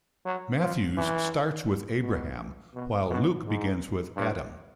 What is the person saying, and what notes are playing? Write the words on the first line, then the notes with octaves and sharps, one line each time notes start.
Matthew's starts with Abraham, while Luke begins with Adam.
F#3
F3
E3
B2
B2
B2
G#2
G2